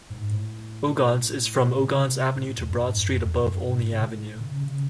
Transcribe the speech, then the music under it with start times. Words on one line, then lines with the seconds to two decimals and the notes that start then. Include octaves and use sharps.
Ogontz is "from Ogontz Avenue to Broad Street above Olney Avenue".
0.10 G#2
0.31 A2
1.83 C#3
1.94 C3
2.35 A2
2.58 E2
2.67 F#2
2.76 G#2
2.97 F#2
3.17 E2
3.38 F#2
3.58 G#2
3.91 C3
3.99 A2
4.40 C#3
4.60 C#3